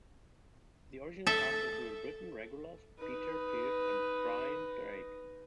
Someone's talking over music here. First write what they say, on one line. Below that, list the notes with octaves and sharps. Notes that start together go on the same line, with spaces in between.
The original cast included Britten regulars Peter Pears and Bryan Drake.
A4 E5
D#4 B4